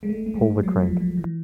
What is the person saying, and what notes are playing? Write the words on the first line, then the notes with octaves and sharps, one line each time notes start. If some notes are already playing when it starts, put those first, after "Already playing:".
Pull the crank.
G#3
A3
A3
G#3
F#3
F3
F3
E3